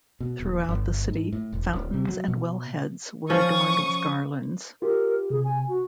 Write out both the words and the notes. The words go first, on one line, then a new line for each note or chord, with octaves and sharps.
Throughout the city, fountains and wellheads were adorned with garlands.
B2
D#1
G1
G#2
A2
E1
D1
C3
F#3
B2
F3 C#4 C#6 D#6
F4 G4 A#4
C3 G#4
G#5
F#4